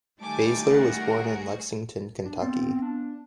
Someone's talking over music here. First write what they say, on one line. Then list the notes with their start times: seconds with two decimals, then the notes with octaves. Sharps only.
Baesler was born in Lexington, Kentucky.
0.21 D#3 G3 A3 G#5 A5 D6
0.71 F#4 G#4 A#4 F#5
2.25 D4
2.42 B3 C4
2.82 D4